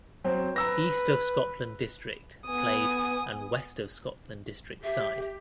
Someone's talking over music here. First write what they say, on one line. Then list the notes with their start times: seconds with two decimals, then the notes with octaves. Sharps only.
East of Scotland District played an West of Scotland District side.
0.24 F#3 C4
0.56 B4 A#5 E6 A#6
2.47 B3 G#5 D#6
4.84 G4 E5